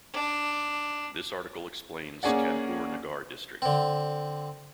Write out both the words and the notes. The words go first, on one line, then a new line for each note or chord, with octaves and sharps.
This article explains Kanpur Nagar district.
D4
A#3 C#4 G#4 D5 F#5
D3 C4